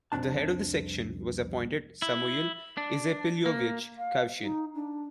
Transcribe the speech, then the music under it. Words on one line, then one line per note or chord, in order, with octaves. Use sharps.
The head of the section was appointed Samuyil Izepilyovych Khavchyn.
C2 F2 C#3 C4 D4 A5
E4
D4
A#3
F5
D#4
D4